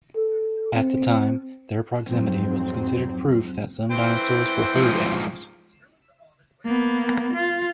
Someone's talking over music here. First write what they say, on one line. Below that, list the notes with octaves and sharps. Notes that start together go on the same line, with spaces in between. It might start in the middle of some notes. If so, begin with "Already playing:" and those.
At the time, their proximity was considered proof that some dinosaurs were herd animals.
A4
C4
F2 G#2 F#3 C4
E3 C5 G5
G#2 F3
A#3 B3
F4